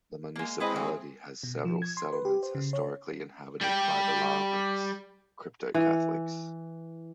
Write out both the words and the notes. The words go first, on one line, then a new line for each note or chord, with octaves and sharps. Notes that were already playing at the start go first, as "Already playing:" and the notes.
The municipality has several settlements historically inhabited by the Laramans, crypto-Catholics.
G#3 A#3
G#3 C4 E4 G#4 B4 D#5
E3
B2
F3
G#6
C6
B4
G4
C5
C#3
C#5
G3 G5
E3